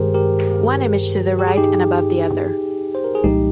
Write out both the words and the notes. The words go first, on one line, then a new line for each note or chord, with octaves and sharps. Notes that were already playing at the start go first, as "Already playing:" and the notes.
One image to the right and above the other.
Already playing: G2 D#3 G#3 G4 G#4 A#4 C5
G4 A#4
G4
G#4
D#4 G4
C5
A#4
G#4
C2 A#2 F3 G#3 D#4 G4